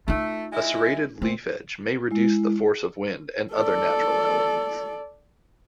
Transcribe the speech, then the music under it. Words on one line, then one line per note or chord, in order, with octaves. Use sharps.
A serrated leaf edge may reduce the force of wind and other natural elements.
A3 D#4 F4
G#3 E4
E3 A3 C4
G#3 E4
A4 D5